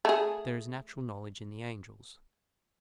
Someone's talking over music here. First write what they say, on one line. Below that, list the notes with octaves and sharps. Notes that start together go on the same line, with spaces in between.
But there is natural knowledge in the angels.
A3 G#4